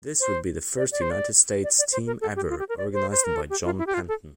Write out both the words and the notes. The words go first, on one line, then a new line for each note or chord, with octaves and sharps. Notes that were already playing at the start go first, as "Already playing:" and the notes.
This would be the first United States team ever, organized by John Penton.
C5
D5
D5
C5
D5
D5
D5
C5
A#4
A4
G4
F4
G4
A#4
D5
C5
C5
A#4
A4
G4
F4
E4
G4
F4
A4